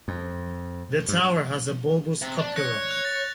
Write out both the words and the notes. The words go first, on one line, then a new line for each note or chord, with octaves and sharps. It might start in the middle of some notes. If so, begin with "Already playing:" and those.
The tower has a bulbous cupola.
F2
G2
C3
D4
C#5 F#6 A#6 C#7
C#7
F#6 F7
A6